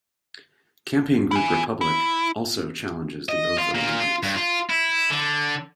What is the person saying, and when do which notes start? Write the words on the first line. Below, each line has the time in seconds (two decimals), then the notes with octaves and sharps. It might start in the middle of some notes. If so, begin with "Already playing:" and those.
Campaign group 'Republic' also challenges the oath of allegiance.
1.31 E4 G#5
1.81 E4
3.29 D#5
3.59 F4
3.75 A#2
4.00 F4
4.23 G2
4.36 F4
4.70 E4
5.10 D3